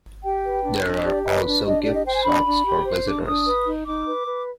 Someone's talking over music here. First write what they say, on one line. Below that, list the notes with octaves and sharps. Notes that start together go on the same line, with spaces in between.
There are also gift shops for visitors.
G4 G5
B4
D4
D4
G4 D5
B4 D#5
D4
D4 D#5
G4 D5
D#5
C5 G5
G#5
D4 B5
D4
G4
C5
D4 D6
D4 D#6
B4
D#4
D#4 D6
B4
B4